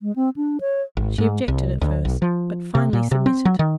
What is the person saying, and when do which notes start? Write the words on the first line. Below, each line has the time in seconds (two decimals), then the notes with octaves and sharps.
She objected at first, but finally submitted.
0.01 G#3
0.16 C4
0.36 D4
0.61 C#5
0.97 G#1
1.18 G#2
1.48 C2
1.81 D2
2.05 B1
2.22 F3
2.75 C3
2.93 A#2
3.11 C3
3.26 C4
3.45 F#3
3.59 D#3